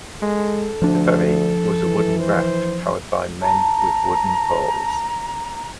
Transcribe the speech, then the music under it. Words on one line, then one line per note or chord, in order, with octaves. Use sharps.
The ferry was a wooden raft powered by men with wooden poles.
G#3 A4
D2 F3 D4
E3
C5
A5 A#5